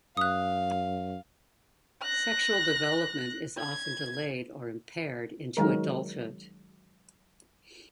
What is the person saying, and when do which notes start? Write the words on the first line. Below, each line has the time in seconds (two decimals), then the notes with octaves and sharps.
Sexual development is often delayed or impaired into adulthood.
0.17 F#2 F5 D#6 F#6
2.02 F#6 A#6
3.58 G#6
5.57 D#3 F#3 G#3 A#4